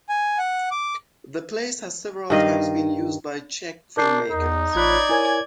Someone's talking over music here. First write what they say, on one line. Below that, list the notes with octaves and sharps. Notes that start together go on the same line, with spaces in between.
The place has several times been used by Czech filmmakers.
G#5
F#5
D6
G2 D#3 D#5 F5
D4 A#4 G6 C7
E2 D#4
A1 F4 C#5 D5 B5 F#6 G#6
E4 A#4 C#5 G#5